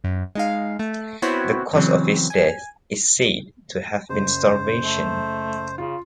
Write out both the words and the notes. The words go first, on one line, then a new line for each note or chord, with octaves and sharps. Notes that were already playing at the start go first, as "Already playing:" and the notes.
The cause of his death is said to have been starvation.
F#2
G#3 D#4 F5
A3
B3 C4 E4 F#4 C5 C#5
C#3 E3 F#3 C4
G#5
F#1 C5
A3
C#3 F4